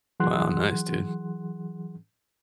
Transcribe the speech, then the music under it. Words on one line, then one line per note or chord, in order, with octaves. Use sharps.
Wow. Nice, dude.
E3 F#3 G#4 F#5 C6 F#6